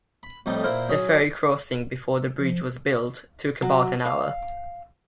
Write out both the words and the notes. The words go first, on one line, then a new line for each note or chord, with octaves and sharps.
The ferry crossing before the bridge was built took about an hour.
B5
F2 A2 G3 A3 D#4
A#2 E4 A#4 C5 F5
F#3 C#4 G#4
F3
F#3
F5